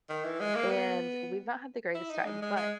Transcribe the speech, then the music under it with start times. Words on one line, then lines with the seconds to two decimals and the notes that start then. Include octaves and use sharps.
and we've not had the greatest time, but
0.09 D#3
0.25 E3
0.40 G#3
0.55 A#3
0.70 B3
1.95 E4
2.10 D#4
2.26 G#3
2.42 G#3
2.57 G#3